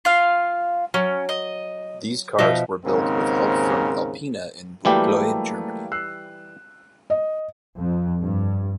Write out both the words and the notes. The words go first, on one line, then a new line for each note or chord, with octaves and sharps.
These cars were built with help from Alpina in Buchloe, Germany.
F4 F5
F#3 C#4
D#5
B2 F3 D#4 E5
D#2 G#2 C#3 C4 A#4
E3 F#3 G3 A3 A#3 G4
E6 F#6 C7
D#5
F2
G2